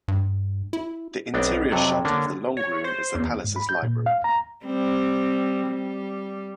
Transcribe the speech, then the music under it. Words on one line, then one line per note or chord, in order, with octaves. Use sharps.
The interior shot of the long room is the palace's library.
G2
E4
B1 B3 C4 D4 F#5 G5
F2 C3 F#3 A4
D3 A#3 C#4 D4
C#5
C5
E2
G#2
B5
G6
A#2
F5
A#5
G3 C4
G3